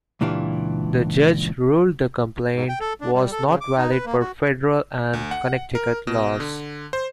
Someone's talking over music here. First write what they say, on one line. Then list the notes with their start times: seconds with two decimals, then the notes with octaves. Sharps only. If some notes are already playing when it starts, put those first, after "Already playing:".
The judge ruled the complaint was not valid per Federal and Connecticut laws.
0.21 C#2 A#2 E3 D4 G4 F5
2.55 G#2
2.69 G5
2.80 A4
3.01 D4
3.14 G3
3.32 A4
3.47 C#3
3.61 D6
3.78 D#4
3.91 B4
4.06 A#3
4.20 F#4
5.13 D2
5.31 F#5
5.75 A#4
6.07 B2
6.40 D3
6.93 C5